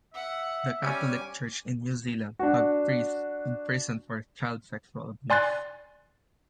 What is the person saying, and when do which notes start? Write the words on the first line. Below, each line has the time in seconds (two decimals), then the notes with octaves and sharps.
The Catholic Church in New Zealand had priests imprisoned for child sexual abuse.
0.14 E5 F#5
0.83 G3 C#4 G#5 D6
2.39 D4 F#4
5.30 D5 G#5 C6 F#6 A6